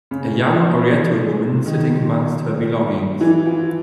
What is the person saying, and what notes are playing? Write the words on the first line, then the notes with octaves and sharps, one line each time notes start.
A young oriental woman sitting amongst her belongings.
C#3
D#3
E3
F3